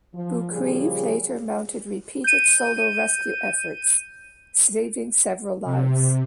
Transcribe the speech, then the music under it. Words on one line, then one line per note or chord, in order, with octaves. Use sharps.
Boukreev later mounted repeated solo rescue efforts, saving several lives.
F3
A#2 C#3 F3 G3 G#4
G6 D#7
C3